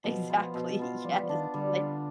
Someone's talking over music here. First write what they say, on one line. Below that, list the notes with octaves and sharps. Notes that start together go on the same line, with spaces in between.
Exactly, yes, like
B2 F3
B3 F4 C5
B2
B3 F4 C5
F3 G3
F3
D#3 D4 F4
D3 G3
D4 F4